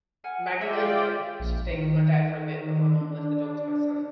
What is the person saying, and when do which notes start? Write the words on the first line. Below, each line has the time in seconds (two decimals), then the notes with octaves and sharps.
Maggie lived there, and she stayed with my dad for a bit, but my mom left the dog to my son,
0.24 F#5 G#5 F6
0.61 G#3 F4 D5 E5 G5
1.40 A#1
1.66 D#3
3.01 D4